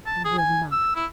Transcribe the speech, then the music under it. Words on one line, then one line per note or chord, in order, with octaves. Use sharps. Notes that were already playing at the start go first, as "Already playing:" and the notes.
"I will not!"
A5
G#4
G#5
E6
E4